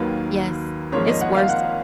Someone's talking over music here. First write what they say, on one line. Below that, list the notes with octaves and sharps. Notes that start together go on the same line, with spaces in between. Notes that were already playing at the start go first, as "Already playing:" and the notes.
Yes. It's worse.
Already playing: D#2 D#3 F#3 A#3 B4
G#1 G#2 F3 A#3 C#5
D#5
F#5
F5
F#5